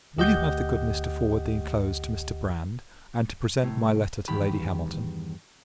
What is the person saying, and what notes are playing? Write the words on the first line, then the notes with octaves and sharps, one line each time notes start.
Will you have the goodness to forward the inclosed to Mr. Brand, and to present my letter to Lady Hamilton?
D2 G4 D#5 F#5 G6
C2 A2
E2 G2 D#3 G4 B5